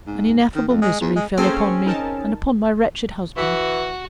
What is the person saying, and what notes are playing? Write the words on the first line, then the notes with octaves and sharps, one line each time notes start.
An ineffable misery fell upon me and upon my wretched husband.
G#2
D#3
F2
G#3
E2
G#3
A#3 C4 C#4 G#4 A4 C5
D#4 A#4 A5
E3 F#4